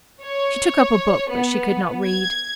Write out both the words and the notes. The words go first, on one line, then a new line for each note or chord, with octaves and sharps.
She took up a book, but she could not read.
C#5
B3
G#6